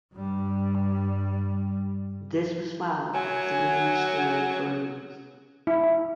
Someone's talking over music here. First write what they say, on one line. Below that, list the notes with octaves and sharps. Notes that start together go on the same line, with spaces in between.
This was followed by three straight birdies.
G2 G3
F#3 G#5
E4